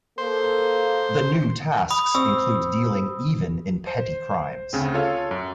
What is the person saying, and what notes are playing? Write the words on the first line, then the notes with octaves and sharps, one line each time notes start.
The new tasks include dealing even in petty crimes.
A#3 A4 C5
B5 D#6
C4 C#6 E6
C5
D2 C#3 C4
F4 A4 C#5 F5
F#2